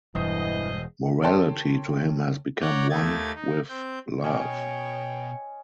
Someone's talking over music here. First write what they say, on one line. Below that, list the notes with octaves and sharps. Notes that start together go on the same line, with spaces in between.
Morality to him has become one with love.
E1 G2 E3 C5 D#5
A4 A#4 C#5 G5 A5 C6
C#5 D5 F#5 A#5 D6 G6
D#2 A3 D#4 G#6 A6
D#4
C4 G6
B2 C#4 C#5 D#5 G5 G#5